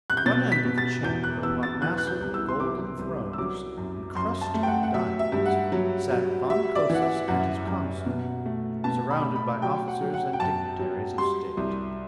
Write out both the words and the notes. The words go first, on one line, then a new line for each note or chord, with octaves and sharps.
At one end of the chamber, upon massive golden thrones encrusted with diamonds, sat Than Kosis and his consort, surrounded by officers and dignitaries of state.
F#6
G6
B2 A6
B6
B2
A6
E2 G6
F#6
E2 E6
A6
E3 F#6
F#6
G6
C2
E6
C6
C3 D6
C2
E6
F#3 D6
F#2
F#2 C6
A5
A3
G5
F#5
F#5
F#3 E5
E5
G2
F#5
F#3
F#3
G3 E5
D5
E3 F#5
E5
F#2 F#5
F#2
B2
A3
B2 A5
B5
A3
B5
F#3 G5
F#5
F#3
F#5
G5
F#2 A5
F#3
G3 C6
C2